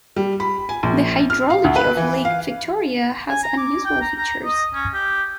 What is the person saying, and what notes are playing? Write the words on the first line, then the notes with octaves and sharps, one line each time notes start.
The hydrology of Lake Victoria has unusual features.
G3
B5
G#5
A#1
F6
F5
D2
B4
E3
F5
G#5
A#5
D6
G5
A#5
A#5
D#5
C#4
G4